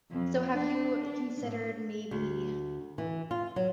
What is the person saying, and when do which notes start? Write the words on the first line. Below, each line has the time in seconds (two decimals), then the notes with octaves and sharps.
so, have you considered, maybe,
0.11 F2
0.53 D4
1.03 D4
1.41 A2
2.11 D2
2.98 E3
3.31 F4
3.56 F#3